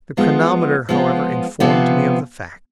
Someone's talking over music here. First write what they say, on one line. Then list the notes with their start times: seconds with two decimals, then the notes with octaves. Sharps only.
The chronometer, however, informed me of the fact.
0.17 F3 G#3 B3 F4
0.89 F3 G#3 B3 F4
1.60 C3 F3 B3 F4